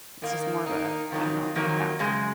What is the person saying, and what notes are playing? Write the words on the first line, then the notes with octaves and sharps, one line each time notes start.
it's just more of a I don't know, laid back,
D#3 A#3 D#4
D#3 A#3 D#4
F2 D#3 F#3 A#3 D#4
F2 D#3 F#3 A#3 D#4
F#2 C#3 G#3